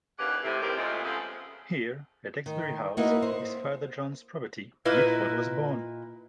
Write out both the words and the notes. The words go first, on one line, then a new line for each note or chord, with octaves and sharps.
Here, at Exbury House, his father John's property, Mitford was born.
D#2 C#3 E3 D5 F5 F#5
A2 C3
D#2 D#3 G3 C4 G4 A#4
A#2 C#3 F3 G#3 A3 C4
C#3 F3 G#3 A3 B3 C4
D#3
A#3 D#4 E4 F#4 A#4 B4
C5
A#2 E4 B4 D#5